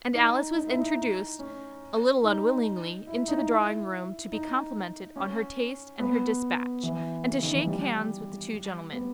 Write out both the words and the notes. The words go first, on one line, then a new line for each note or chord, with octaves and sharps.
And Alice was introduced a little unwillingly into the drawing room to be complimented on her taste and her despatch, and to shake hands with the two gentlemen.
D#4
D#4
E4
D#4
C#4
D#4
E4
D#4
D#4
E4
D#4
C#4
B3
E3
C#3
D#3
E3
G3
B3